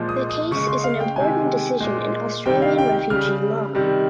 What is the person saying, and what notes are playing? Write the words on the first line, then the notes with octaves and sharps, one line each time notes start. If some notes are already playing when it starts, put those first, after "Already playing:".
The case is an important decision in Australian refugee law.
Already playing: A#2 F3 G#3
D#6
D#6
C#3 G#3 C#6
C6
F5
G5
C3 D#3 G#3 G#5
A#2 G#3
C3 D#3 G3 G5
F5
G5
C#3 G3 F6
C3 D#3 G3